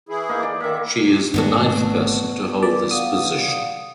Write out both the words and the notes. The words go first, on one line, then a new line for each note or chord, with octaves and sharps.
She is the ninth person to hold this position.
E3 E4 G#4
A#3 D#4
D5
D#3 A#3 E5
G#1 A3 B3 C4 D4 F#4
G#4 A#4 B4 D5
D5 F5 F#5 D#6